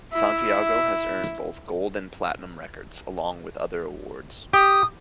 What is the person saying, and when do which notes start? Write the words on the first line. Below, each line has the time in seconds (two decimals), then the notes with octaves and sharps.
Santiago has earned both gold and platinum records, along with other awards.
0.13 E4 E5
4.53 G4 D#6